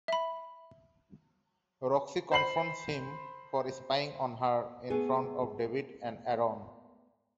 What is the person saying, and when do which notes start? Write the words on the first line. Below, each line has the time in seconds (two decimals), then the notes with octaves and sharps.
Roxy confronts him for spying on her in front of David and Aaron.
0.08 E5 B5
2.32 C5 B5 C7 F#7
4.90 A3 B3 G#4